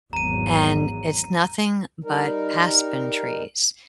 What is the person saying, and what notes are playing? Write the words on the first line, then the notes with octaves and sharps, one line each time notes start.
and it's nothing but aspen trees,
G#1 E2 F#3 A#5 D#7
G3 D#4 A#4